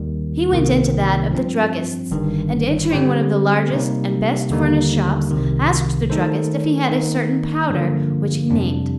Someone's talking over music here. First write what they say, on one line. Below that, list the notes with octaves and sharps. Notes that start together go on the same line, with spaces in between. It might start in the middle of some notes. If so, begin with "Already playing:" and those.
He went into that of the druggists; and entering one of the largest and best furnished shops, asked the druggist if he had a certain powder, which he named.
Already playing: D#2 D#3 G3
C2 C3 D#3 A#3
G2 F3 C4
G1 G2 D#3
D3 G3 C4 G4 C5
C3 G3 A#3 D#4
D#2 D3 G3 A#3 D#4
C2 C3 D#3
D#3 A3 D#4 A4 C5
D#3 A#3 D#4
G2 D3 F3 A#3
F2 C3 G3 D4